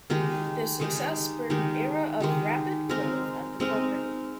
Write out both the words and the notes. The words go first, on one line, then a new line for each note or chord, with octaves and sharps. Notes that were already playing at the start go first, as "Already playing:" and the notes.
Their success spurred an era of rapid growth at the company.
D#3 G#3 D#4 G4
D#3 G#3 D#4 G4
D#3 G#3 D#4 G4
D#3 G#3 D#4 G4
G#3 C4 D#4 A#4
G#3 C4 D#4 A#4